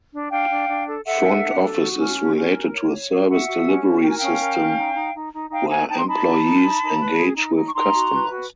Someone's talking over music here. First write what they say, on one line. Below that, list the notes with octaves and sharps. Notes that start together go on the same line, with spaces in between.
Front office is related to a service delivery system, where employees engage with customers.
D4
D4 F5 G5
D4
D4
A4
A4 E5 F#5
A4
D4
A4
F#4
C#4
F#4
C#4
A#4
C#5
C#5
F#4
F#4 E5 F#5
F#4
C#4
F#4
A#4 G5
G#5
C#4 F5 G5
A#4
C#4
D#4
D#4
D#4
D#4
D#4 F5 G5
D#4 F#5 G#5
D#4 G5 A5
C6
D#4 A5 B5
D#4
D#4
D#4
D#4
B4
G#4
D#4
D#4
C#6
D#4 A#5 C6
F#4
B4
F#4